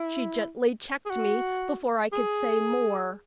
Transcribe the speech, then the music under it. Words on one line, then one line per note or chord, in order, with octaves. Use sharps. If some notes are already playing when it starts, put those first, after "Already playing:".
She gently checked me before I could say more.
Already playing: E4
G#4
F#4
G#4